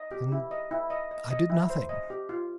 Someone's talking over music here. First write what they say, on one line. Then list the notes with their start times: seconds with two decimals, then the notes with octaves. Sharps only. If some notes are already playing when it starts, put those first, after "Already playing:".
And I did nothing.
Already playing: D#5
0.11 G4
0.32 E4
0.51 D#5
0.71 E4
0.90 D#5
1.11 D#5
1.31 D#5
1.50 E4
1.70 C5
1.89 D#5
2.10 G4
2.29 F4